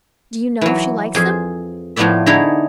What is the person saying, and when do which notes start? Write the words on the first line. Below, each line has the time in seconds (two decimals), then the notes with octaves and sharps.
"Do you know if she likes them?"
0.61 E3 F#3
1.15 F2 G#4 C5
1.96 A2 F3 A3 B3 D5 E5
2.26 D3 D#4 E4 G#4 C#5